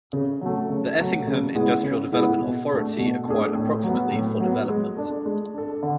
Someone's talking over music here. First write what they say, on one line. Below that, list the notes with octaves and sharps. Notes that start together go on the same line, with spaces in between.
The Effingham Industrial Development Authority acquired approximately for development.
C#3
F#3 A3
C#3
F#3 A3
C#3
G#3 B3 E4 G#4
C#3
G#3 B3 E4 G#4
B2
A3 D4 G#4
B2
A3 D4 G#4
A2
F#3 B3
A2
F#3 B3
G#3
D4 A4
G#3
D4 A4
D3